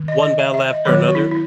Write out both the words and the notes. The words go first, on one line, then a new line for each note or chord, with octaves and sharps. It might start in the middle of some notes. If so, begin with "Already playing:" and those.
One Battle After Another?
Already playing: D#3
D#5
D#5
E5
E5
D#5
D#3 F#3 B3 C#5
C#5
F#4
E4
E4